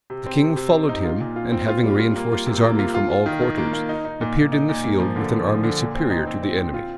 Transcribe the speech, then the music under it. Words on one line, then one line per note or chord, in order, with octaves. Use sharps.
The king followed him, and having reenforced his army from all quarters, appeared in the field with an army superior to the enemy.
C3
C4
C3
C3
C3
D#4
F4
A#2
F4
C4
F4
G3
F4
A#3
F4
C3
A#3
F4
F4
F4
D#3
D#3
A#3
A#3
D#4
D#4
A#2
A#2
D#4
A#2
A#3
F3
D3
F3
F3
D3
A#2
C4
D#4
C4
C4
C4
F4